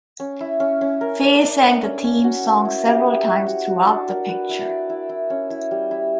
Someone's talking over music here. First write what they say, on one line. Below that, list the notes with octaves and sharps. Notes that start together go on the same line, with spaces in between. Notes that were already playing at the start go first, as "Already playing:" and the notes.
Fay sang the theme song several times throughout the picture.
C#4
E4
C#4
C#4
A#4
D4
D4
D4
C#4
C#4
F#4
E5
E4
G4
E4
E4
F#4
F#4
D4
A#4
B4
E4
D5
E4
E4
C#4
E4
G3
E4